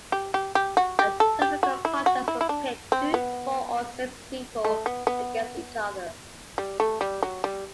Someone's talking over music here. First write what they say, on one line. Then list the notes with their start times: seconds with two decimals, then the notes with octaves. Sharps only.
A typical contest would pit two, four or six people against each other.
0.12 G4
0.34 G4
0.55 G4
0.77 F#4
0.99 G4
1.20 A4
1.42 G4
1.63 F#4
1.85 E4
2.06 F#4
2.28 E4
2.41 E4
2.49 D4
2.92 C4
3.14 B3
4.65 A3
4.86 B3
5.07 B3
6.58 G3
6.80 A3
7.01 G3
7.23 F#3
7.44 G3